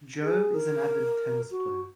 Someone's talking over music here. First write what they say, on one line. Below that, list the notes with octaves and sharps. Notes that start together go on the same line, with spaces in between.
Joe is an avid tennis player.
G#4
A#4
F#4